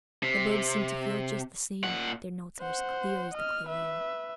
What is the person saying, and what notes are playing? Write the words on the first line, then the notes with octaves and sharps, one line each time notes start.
The birds seem to feel just the same: their notes are as clear as the clear air.
C3
A#2 F#5
C5 F#5
D#5 F6
B4 E5